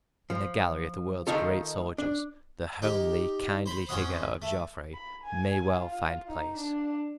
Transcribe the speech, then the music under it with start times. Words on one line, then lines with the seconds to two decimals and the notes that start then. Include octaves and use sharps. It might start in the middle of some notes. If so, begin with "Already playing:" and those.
In the gallery of the world's great soldiers, the homely, kindly figure of Joffre may well find place.
0.30 F3
1.27 D#3 G3 A3 D#4 F4 A4
1.98 D4
2.82 D#4 G4
3.66 C5 B5
3.89 F2 C#4 C5 F#5 D#6
4.42 A3
4.93 B5
5.23 G#5
5.78 F4
6.28 D#4
6.58 D4